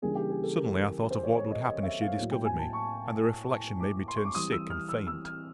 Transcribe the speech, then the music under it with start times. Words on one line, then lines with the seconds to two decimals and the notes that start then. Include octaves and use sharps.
Suddenly I thought of what would happen if she discovered me, and the reflection made me turn sick and faint.
0.02 C#3 E3 G3 A#3 D4 G#4
0.15 G4
0.30 G#4
0.43 A4
0.56 A#4
1.11 C5
1.23 C#5
1.37 C#5
1.51 D#5
1.65 D#5
1.83 E5
2.01 F5
2.19 A2 F#3 A#3
2.31 G5
2.45 G#5
2.59 A5
2.73 C#6
3.80 D6
4.08 C6
4.16 C#6
4.25 D6
4.35 E3 G3 C4 D#6
4.52 E6
4.70 F6
4.89 E6
5.07 E6
5.25 F6